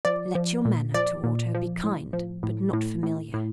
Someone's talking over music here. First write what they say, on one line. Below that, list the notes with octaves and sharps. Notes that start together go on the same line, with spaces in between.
Let your manner toward her be kind, but not familiar.
F3 D5
F3
A#2
F3 D5
A#2
F3
A2
F3
A2
A2
A2
A2